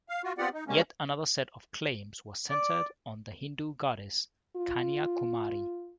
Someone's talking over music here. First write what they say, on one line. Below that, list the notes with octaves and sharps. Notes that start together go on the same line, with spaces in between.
Yet another set of claims was centered on the Hindu goddess Kanya Kumari.
F5
F4 F#4
B3 C4 F4 G4 D5 F#5
D#4
D#3 G3 G#3 A#3 C#4
D5
F4